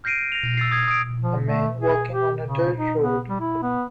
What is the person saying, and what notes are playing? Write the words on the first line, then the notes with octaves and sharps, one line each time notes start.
A man walking on a dirt road.
F6 G6 A#6 C7 D7 D#7
A#6 F7
E6 A6 C7
D#6 G#6 C7
D#6 D7
F3
A3
G#4
G4
C#3
D#4
B3
G3
E4
B3